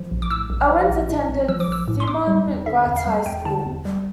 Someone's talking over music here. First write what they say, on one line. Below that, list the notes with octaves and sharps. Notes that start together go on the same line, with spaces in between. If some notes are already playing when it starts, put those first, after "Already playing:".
Owens attended Simon Gratz High School.
Already playing: F3
A#1
D6
A2 E6
A#1
F3
A#1
A2
A#1
F3 E6
D6
A#1 E6
A2
C6
E2 D6
G3
E2
D3 E5
E2
F5
G3
E2 G5
D3 A5
E2
G3